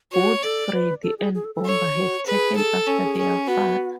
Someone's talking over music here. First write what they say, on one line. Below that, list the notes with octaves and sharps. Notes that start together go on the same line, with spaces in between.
Both Freddie and Bomber have taken after their father.
F#4 C#5
A4 D5
B4
A4
G#4
G#4
A4
A4
C#5
F#4
G#4 B4
A4
C#4 A4
G#4
C#4
B3 F#4